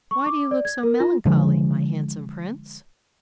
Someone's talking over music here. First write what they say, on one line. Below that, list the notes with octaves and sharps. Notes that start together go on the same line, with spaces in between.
'Why do you look so melancholy, my handsome Prince?'
C#6
D6
D5
G#6
A#4
F4
D3 F3 G#3